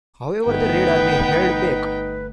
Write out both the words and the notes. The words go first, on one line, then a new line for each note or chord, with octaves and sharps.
However, the Red Army held back.
G1 A3 B3 D#4 B4 G5